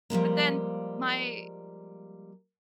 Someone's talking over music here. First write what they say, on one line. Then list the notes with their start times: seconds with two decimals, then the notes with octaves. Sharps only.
but then my
0.10 F3 G3 G#3 A#3